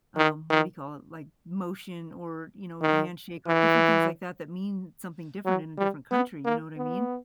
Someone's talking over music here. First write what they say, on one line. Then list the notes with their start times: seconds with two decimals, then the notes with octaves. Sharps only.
um, what do you call it, like, motion or, you know, handshake or different things like that that mean something different in a different country, you know what I mean?
0.17 D#3
0.50 D#3
2.82 D#3
3.47 E3
5.45 F#3
5.78 G3
6.11 B3
6.44 A#3
6.77 B3